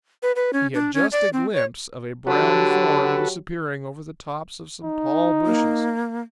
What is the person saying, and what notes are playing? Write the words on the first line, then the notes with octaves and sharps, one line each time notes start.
He had just a glimpse of a brown form disappearing over the tops of some tall bushes.
B4
B4
C#4
D4
C#4
D5
C4
C#5
D3 F#3 F#4 G4 A4 B4
D#4
A#3